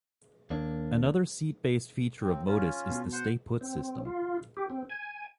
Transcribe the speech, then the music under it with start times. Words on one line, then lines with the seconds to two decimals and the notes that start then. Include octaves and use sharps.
Another seat-based feature of Modus is the "Stay Put" system.
0.50 D#2 A#3 D4
2.22 D#2 C4
2.47 C#4 F4
2.89 B2
3.12 C5 F#5 C6
3.61 C4
4.05 F4
4.57 G4
4.70 C4
4.90 G#5